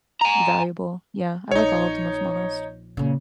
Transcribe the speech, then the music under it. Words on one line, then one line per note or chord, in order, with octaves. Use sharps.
valuable. Yeah, I like all of them, if I'm honest.
G#5 A#5
A#1 D#4 C#5
A#2 C#3